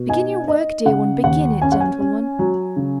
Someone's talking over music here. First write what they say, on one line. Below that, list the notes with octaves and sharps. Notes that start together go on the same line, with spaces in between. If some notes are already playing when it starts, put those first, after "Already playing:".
Begin your work, dear one, begin it, gentle one!...
Already playing: B2
D#4 G#5
D#4 D#5
C#3 F#5
D#2 F#5
C#4 G#5
F#5
G#5
C#4
F#3
C#3